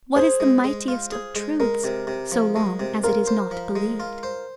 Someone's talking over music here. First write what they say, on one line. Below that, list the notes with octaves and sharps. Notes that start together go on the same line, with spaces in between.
What is the mightiest of truths so long as it is not believed?
G#4 C5
G#3
G#3
F4
G#4
G#3
G#3 A#4
C3
C3
F3
G#3
C3
F4 A#4
C5
F3
G#3
F4
C5